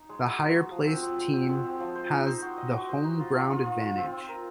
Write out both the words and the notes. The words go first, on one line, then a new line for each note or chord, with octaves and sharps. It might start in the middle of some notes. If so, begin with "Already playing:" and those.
The higher-placed team has the home ground advantage.
Already playing: D#4
G#3
F#4
G#3
F#4
F3
C4
C4
G#3
C4
G#3
C4
F3
C5
D#4
C5
F#4
D#5
F#4
C5
D#4
F4
F4
F4
F4
F4
C4
C4
A#4